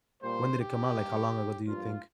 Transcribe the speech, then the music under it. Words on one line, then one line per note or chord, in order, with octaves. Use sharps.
when did it come out, like, how long ago do you think?
A#2 G3 A#3 C5
G4
G2 G3 A#3
G2 F3 A#3 F4